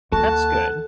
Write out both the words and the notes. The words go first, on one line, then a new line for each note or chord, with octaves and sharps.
That's good.
D#2 F#4 A4 A5
F#5